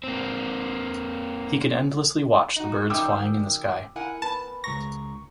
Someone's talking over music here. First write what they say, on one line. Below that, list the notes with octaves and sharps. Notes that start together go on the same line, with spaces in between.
He can endlessly watch the birds flying in the sky.
A#3 C4
D#4 F#4
F#2 D#3 G3 G5 D6 E6
E4 A#4 F#5 G#5
B3 A5 B5
C#2 A#5 C#6 A#6